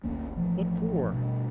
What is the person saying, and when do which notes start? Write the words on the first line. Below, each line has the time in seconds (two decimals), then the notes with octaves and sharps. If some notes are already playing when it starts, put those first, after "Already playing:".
What for?
0.03 G1 D2 A#3 C#4
0.36 A1 A2 F3
1.12 G2 B2